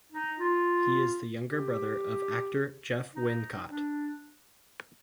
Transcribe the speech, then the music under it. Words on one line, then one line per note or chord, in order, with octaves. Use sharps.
He is the younger brother of actor Jeff Wincott.
D#4
F4
G4
D#4
D4